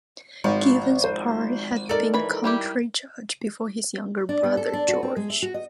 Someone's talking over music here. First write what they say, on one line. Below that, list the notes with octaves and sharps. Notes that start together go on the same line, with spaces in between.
Givens Parr had been county judge before his younger brother George.
G#1 F3
C5
D#4 A4 A#4 D5
E3 B5
G3 E4 G4
D4
B3
A4
D4
F#4
C4
G#3
E5
F#4
D#5